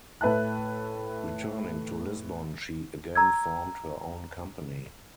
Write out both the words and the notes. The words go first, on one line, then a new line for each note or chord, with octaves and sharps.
Returning to Lisbon she again formed her own company.
A2 B4 E5 A5 F#6
A#5 E6 G#6